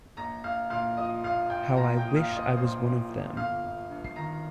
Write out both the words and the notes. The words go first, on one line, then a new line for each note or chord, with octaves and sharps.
How I wish I was one of them!
A#1 A#5 A#6
A#1 F5 F6
A#2 F5 F6
F3 D#5 D#6
A#1 F5 F6
A#1 G5 G6
A#2 A#5 A#6
G5 G6
F3 D#6
F5 F6
A#1
D#5 D#6
A#1 C5 C6
A#2
F3
G1 F5 F6
G1
G2
C7
D#3 A#5 A#6